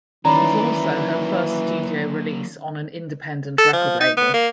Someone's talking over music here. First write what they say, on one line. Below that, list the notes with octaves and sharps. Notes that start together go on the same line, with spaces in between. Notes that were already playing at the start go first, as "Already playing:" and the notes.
It was also her first studio release on an independent record label.
D#3 E3 F#3 A#3 C#4 D5 A#5 B5
A4
F3
D#4
B3
A#3